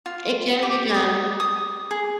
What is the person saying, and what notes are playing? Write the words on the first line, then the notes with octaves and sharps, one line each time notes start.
It can be done.
F4
G4
D#6
D#6
G#4